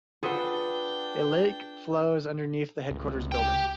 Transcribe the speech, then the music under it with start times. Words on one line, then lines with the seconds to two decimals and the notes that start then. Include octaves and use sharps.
A lake flows underneath the headquarters building.
0.23 D4 F4 G#4 A4 B4 F#5 G5
2.91 C#2
3.32 G4 G5